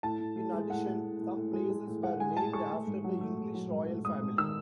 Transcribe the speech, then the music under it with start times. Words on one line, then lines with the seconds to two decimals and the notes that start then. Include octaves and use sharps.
In addition, some places were named after the English royal family.
0.03 A2 A5
0.20 A2
0.36 A2
0.53 G#3
0.70 A2 F#5
0.87 A2
1.04 A2
1.20 A2
1.36 A2
1.53 G#3
1.70 G#3
1.87 A2
2.03 G#3 F#5
2.20 G#3 G#5
2.37 A2 A5
2.53 G#3 C#6
2.70 A3
2.87 G#2
3.04 F#3
3.21 A3
3.37 A3
3.54 F#3
3.71 G#2
3.87 A3
4.05 G#2 D#6
4.22 G#2
4.38 D#3 E6